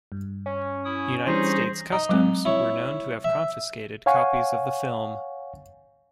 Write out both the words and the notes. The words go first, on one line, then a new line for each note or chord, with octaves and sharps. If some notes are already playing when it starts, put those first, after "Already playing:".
United States customs were known to have confiscated copies of the film.
G2
C#4
E4 D#6
E3 G3 D4 D#4 G#4 C5 A#6
D#4 A#5
F#3 G#3 C4
E4 C#5
E5
C#5 F5 F#5 G#5 C#6